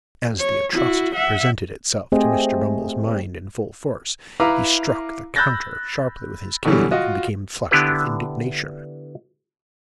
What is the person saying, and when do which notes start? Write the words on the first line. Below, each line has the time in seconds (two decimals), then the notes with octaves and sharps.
As the atrocity presented itself to Mr. Bumble's mind in full force, he struck the counter sharply with his cane, and became flushed with indignation.
0.39 C#5
0.72 E4 F#4
1.15 E5 F#5
2.12 A3 C4 G4 G#4 C5 D#5
4.40 E4 B4 F5 A#5 D6
5.36 B5 E6 F#6 G6 A6 A#6
6.65 B2 D3 E3 F#3 G3
6.91 F4 F#4 D#5
7.71 D3 B3 D4 E4 G4 B4